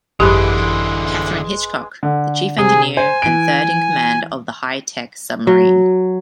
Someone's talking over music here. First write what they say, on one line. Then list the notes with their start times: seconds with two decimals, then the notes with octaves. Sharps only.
Katherine Hitchcock, the chief engineer, and third in command of the high-tech submarine.
0.20 G#1 F#2 D3 E3 G#3 G4 B4 D6
2.03 D3
2.58 C3 G#4 G#5
2.97 C5 G#5
3.22 E3 D7
5.47 F#3